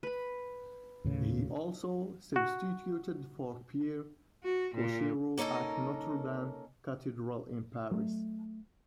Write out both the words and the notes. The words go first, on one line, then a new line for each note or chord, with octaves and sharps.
He also substituted for Pierre Cochereau at Notre Dame Cathedral in Paris.
B4 B5
D#2 A2 C#3
F#4
F#4
A#2
A#3 C#4 D#4 A4 A#4
F#3 A3